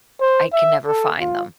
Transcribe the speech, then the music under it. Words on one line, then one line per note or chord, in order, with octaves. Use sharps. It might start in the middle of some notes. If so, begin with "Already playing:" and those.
I can never find them.
C5
E5
A4
F4